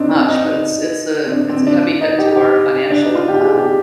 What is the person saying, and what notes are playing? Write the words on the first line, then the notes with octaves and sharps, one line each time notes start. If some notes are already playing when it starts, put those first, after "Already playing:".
much, but it's it's a it's a heavy hit to our financial, um,
Already playing: C4 D4 D#4
C4
D#4
C4
D4
C4
D4
D#4
G4
G4
D4
D#4
F4
G4
G#4
G4